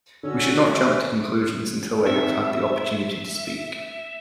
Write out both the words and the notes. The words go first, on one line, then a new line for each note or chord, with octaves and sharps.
We should not jump to conclusions until they have had the opportunity to speak.
D3 C#4 F#4 E6
E5
C4 D#4 G#4 E5